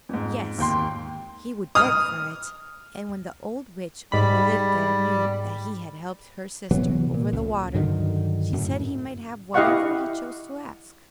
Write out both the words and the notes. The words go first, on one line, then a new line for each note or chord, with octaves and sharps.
Yes! he would beg for it; and when the old witch who lived there knew that he had helped her sister over the water, she said he might have whatever he chose to ask.
F2 G#2
D#2 G5 C6
D#6 F6
G#2 G3 B5
C3 E3 F#3 B3
A#2
C#2
G2 D3 D#3 F#3
F#2 A2
E4 G4 D#5 F5 F#5 C#6